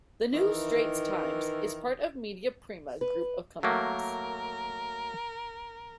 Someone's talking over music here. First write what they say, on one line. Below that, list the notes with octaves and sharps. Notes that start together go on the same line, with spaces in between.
The "New Straits Times" is part of Media Prima group of companies.
D#3 E3
B4
F#3 A3 A#3 A#4